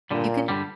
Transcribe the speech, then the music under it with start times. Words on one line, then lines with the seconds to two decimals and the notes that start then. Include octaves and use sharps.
You can
0.11 G2 A#2 D3 G3
0.48 G2 D3 G3